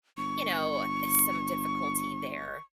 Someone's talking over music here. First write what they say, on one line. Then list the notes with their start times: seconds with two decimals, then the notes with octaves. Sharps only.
you know, some difficulty there
0.18 G1 C#6